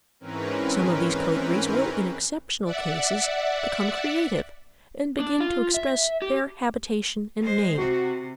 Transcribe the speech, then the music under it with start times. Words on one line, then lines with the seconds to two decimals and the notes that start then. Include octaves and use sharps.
Some of these coteries will in exceptional cases become creative and begin to express their habitation and name.
0.20 G#2 E3 C4 C#4 A#4 B4
2.64 D5 E5 F#5
5.20 D4
5.41 F4
5.74 E5
6.22 G4
7.41 G#3 C5
7.78 C3 F#4